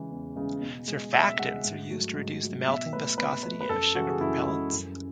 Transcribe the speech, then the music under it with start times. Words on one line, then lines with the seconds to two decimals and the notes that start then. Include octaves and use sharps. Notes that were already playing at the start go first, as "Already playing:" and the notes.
Surfactants are used to reduce the melting viscosity of sugar propellants.
Already playing: C#3 E3 G#3
0.11 E2
0.36 C#3 E3 G#3
0.62 B2
0.88 G#3
1.13 B2 E5
1.39 G#3 F#5
1.64 G#2
1.90 F#3 A3
2.15 G#2
2.41 F#3 A3
2.67 B2 E5
2.93 A3 B4
3.18 B2 B4
3.43 A3 B4
3.61 B4
3.69 F#2 A4
3.94 C#3 E3 G#3 F#4
4.08 G#4
4.20 F#2 E4
4.47 C#3 E3 G#3 E4
4.73 F#2